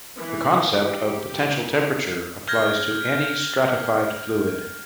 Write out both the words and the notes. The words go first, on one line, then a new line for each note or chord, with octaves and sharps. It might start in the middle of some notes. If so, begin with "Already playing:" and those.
The concept of potential temperature applies to any stratified fluid.
E3
G4
F6 G6 G#6 A#6